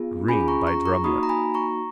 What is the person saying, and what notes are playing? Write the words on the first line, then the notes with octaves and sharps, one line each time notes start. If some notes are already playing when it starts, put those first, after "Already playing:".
Green by Drumleck.
Already playing: B3 F4 G#4
C#4 F4 G#4 G#5 B5
A#5 C#6
A#5 C#6
A#5 C#6
A#3 D#4 F#4 B5 D#6
A#5
G#5 B5
A#5 C#6